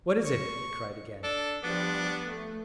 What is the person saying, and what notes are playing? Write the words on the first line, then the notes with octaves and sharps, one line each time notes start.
"What is it?" he cried again.
C#6
D4 A4
F3 G3 B3 D4
A3